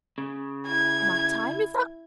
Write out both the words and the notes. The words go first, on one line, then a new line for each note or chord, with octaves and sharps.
My time is up.
C#3
E4 G#6